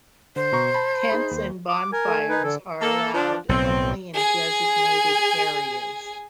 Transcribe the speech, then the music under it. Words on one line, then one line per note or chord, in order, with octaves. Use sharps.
Tents and bonfires are allowed only in designated areas.
D3 C5
B2 A#5 C#6
A5 B5
D#4 G#4 B5
D#2
D6
A#4 G#5
A3
D#4 B4
D3 A4
A#3 A4
F3 D4
B1 A2 C4
G#4 G#5